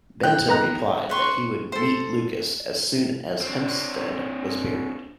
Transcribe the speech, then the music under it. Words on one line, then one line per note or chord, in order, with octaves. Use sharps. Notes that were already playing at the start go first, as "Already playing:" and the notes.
Benton replied that he would meet Lucas as soon as Hempstead was buried.
G5 F#6
B3 A#5 F#6
B4 C6 C#6
A4 C5
C4 D4